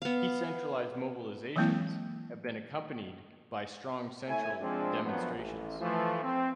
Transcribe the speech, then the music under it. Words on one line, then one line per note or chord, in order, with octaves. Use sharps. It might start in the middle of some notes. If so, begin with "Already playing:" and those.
Decentralised mobilisations have been accompanied by strong central demonstrations.
B3 F5
E3 F#3 G#3 A#3 C4 E4
A3 E4 C#5 E5 G#5
F3 G#3 C4 D4
F#2 F3 B3
A1
E3 F3 A3
C4